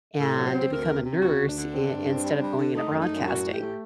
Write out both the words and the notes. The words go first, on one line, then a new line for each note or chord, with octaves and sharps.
and to become a nurse i instead of going into broadcasting,
A2 A4
F#3
C5
C4
D2 A#4
C3
C3
D2 F#4
D2
D4
D3
C4
G2
C4
G3
G3
D3
A3 D#4
F#2
D#4
F#2
A2 F#4
A2
G4
A3